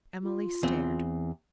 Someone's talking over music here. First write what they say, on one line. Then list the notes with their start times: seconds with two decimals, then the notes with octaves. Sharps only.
Emily stared.
0.23 F4
0.63 E2 C4